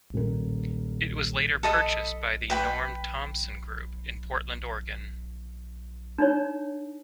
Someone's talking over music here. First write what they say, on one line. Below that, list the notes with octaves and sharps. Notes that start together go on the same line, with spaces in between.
It was later purchased by the Norm Thompson group in Portland, Oregon.
D#1 A#4
A4 D#5 B5
B4 G5 B5
D4 D#4 C#5